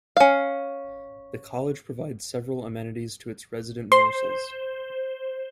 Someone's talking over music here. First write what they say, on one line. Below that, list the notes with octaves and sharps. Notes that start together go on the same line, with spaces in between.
The college provides several amenities to its resident Morsels.
C#4 F5
C5 C6